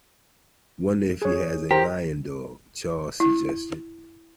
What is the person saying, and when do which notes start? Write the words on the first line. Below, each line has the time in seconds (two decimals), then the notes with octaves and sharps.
Wonder if he's a lion dog, Charles suggested.
1.22 G#4 C#5
1.71 G4 A#4 C5 A#5
3.20 E4